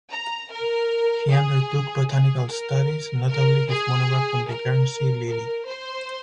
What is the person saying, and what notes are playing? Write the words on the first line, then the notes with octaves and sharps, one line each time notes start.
He undertook botanical studies, notably his monograph on the Guernsey Lily.
A#5
A#4
G#4
G#4
A#4
A#4
G#4
A#4
A#4
C5